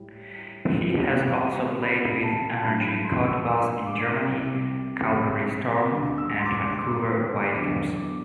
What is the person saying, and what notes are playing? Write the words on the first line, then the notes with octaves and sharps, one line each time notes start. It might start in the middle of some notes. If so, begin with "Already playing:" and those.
He has also played with Energie Cottbus in Germany, Calgary Storm, and Vancouver Whitecaps.
Already playing: A2 G3
C2 B2 G3
B5
A5
G2 F#3 B5
B5
C6
E6
E6
D6
C2 C3 G3
D2 D3 G3 D6
E6
C6
D6
D6
E2 D3 F#3 D6
D6